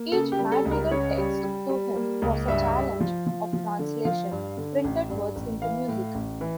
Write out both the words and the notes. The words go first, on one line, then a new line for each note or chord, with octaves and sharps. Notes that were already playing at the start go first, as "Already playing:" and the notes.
Each madrigal text, to him, was a challenge of "translation": printed word into music.
Already playing: A#3
C#3 A4
G4
G3
A4
C#2
A#4
C#3 C#5
G3
G3
G3
A#3
C#2
G2 E5
G2
F3
F3
F3
D3
F3 F5
G2
D3
A1
G2
A1
E3 F5
A2
A1
E3